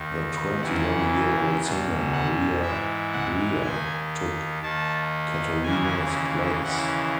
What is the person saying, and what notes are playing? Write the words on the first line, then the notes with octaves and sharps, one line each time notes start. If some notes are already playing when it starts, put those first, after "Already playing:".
The twenty-one year old singer Maria Bria took Catharina's place.
Already playing: D#2 D#3
E2 C#3 E3 F#5
E2 B2
F#5
G#2 E3 E5
F#5
D#2 D#3 G#5
D#2 D#3 A5
D#2 C#3 E3 G#5
D#2 C#3 E3 F#5